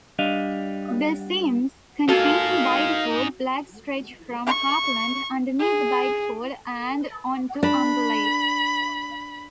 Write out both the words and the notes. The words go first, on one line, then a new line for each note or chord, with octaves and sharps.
The seams containing Bideford Black Stretch from Hartland, underneath Bideford, and onto Umberleigh.
G3 D4 D#5 F5
A#3 D#4 F4 F#4 A4 F5 G#5
C#6
G#4
D4 B5